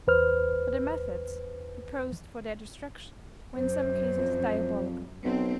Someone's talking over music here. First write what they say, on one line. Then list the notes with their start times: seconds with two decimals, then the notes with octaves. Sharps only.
But the methods proposed for their destruction were in some cases diabolical.
0.07 E2 B4 C5 F6
3.55 F#2 C5
4.17 F2
5.24 B1 C4